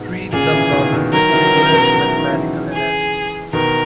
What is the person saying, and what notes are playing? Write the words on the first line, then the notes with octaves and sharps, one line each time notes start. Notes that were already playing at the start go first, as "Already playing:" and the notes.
Treat the problem with rigorous mathematical analysis.
Already playing: G#2 B2
A#2 C#3 G#4
C#3 E3
B2 D#3
B2 D#3
D#3 F#3 A#4
E3
D#3 F#3
F#3
C#3 E3
C#3
B2 D#3
F#3
E3
D#3
C#3 E3
G#4
B2 D#3 A#4